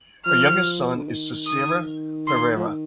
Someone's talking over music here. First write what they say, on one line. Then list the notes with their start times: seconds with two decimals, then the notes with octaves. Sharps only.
Her youngest son is Sisira Perera.
0.25 F3 F6
0.96 D3
1.07 D#3
1.47 D#6
2.27 C6
2.57 F3
2.67 D#3